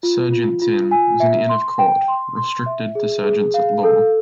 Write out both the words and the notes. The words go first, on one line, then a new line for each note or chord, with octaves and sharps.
Serjeant's Inn was an Inn of Court restricted to Serjeants-at-Law.
F4
F4
F4
G#5
E5
C6
G5
C6
C6
E5
G#4
G#4
F5
A4